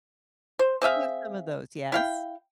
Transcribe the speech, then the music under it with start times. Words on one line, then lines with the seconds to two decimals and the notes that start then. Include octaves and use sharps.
we have some of those. Yes.
0.59 C5
0.82 C4 G#4 E5 F5
1.92 E4 F5 G5